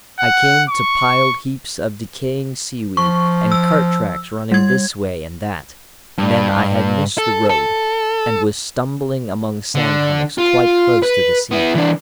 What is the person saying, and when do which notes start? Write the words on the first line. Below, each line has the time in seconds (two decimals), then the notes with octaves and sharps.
I came to piled heaps of decaying seaweed and cart tracks running this way and that, and then I had missed the road and was stumbling among sand hummocks quite close to the sea.
0.19 F#5
0.70 C#6
2.97 F3 C#6
3.52 E6
4.51 G3 G#6
6.18 G2
7.18 A4
7.49 A4
9.75 D3
10.38 F4
11.02 B4
11.51 B3 E4
11.75 E3 D4